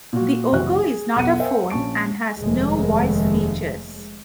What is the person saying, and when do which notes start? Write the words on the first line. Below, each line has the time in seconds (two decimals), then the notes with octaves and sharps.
The Ogo is not a phone and has no voice features.
0.13 A#2 F#4
0.52 F#1 C2 E3 F#4 E5 F#6
0.84 G#4
1.16 B1 E2 A4 F#5 C#7 D#7
1.40 A#4 C5 E5 F5 G5 G#5
1.70 A#1 C#4 A5 C#6 D7
2.38 F1 D#2 G#3 A3